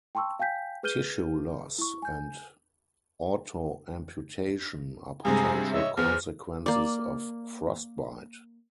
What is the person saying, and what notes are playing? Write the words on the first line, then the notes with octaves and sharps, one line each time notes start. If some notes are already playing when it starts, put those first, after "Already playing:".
Tissue loss and autoamputation are potential consequences of frostbite.
G5 A5 C6 C#6 E6
F5 G5 G#5 G6 B6
G#4 B4 F6 G6 D#7 G7
E4 C#6
G#5 G6
G2 C3 G#3 G#5 A#5 D#6
G#4
C#5 D#5 E5
E2 B3 C5 F6
A#3 D5